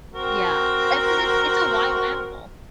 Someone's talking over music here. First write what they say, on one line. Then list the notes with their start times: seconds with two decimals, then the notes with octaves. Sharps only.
Yeah. Eh, because it it's a wild animal.
0.14 C4 F#4 A#4